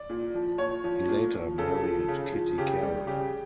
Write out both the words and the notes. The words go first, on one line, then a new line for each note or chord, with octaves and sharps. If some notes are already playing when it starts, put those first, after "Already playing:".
He later married Kitty Carrol.
Already playing: D5
A#2
F3
A#2 C#5
F3
A#2
F3
C#3 A4
F3
C#3
F3
C#3 G4
G3
C#3 G4